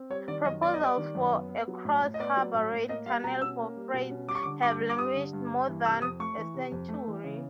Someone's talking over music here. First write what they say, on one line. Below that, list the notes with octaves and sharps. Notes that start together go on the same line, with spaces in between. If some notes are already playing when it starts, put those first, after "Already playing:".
Proposals for a Cross-Harbor Rail Tunnel for freight have languished more than a century.
Already playing: C4
G3 C#5
D#3 D5
F#2 D#5
B3 D5
D#5
G3 D5
D#3
F#2
B3
B3
F#3
A2
A2
D#5
B3 D5
F#3
A2
A2
A#3 D#5
G3 F5
B2 A#5
C#4 E6
A#3
G3
B2
C#4
G3 D6
C#6
D6
D3
G2 D6
G2
D6
G3 D#6
D3
G2
G2
E3
C3 E6
F2 D#6
A3 C#6
E3
C3
F2
A3
E3
C#3